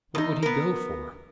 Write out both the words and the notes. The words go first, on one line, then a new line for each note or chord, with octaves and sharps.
"What would he go for?"
E2 D#4
B3 A#4